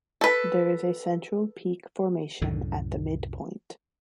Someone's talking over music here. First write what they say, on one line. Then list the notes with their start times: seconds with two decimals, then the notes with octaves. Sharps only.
There is a central peak formation at the midpoint.
0.21 A4 B4
2.41 C2 F#2 A2 D3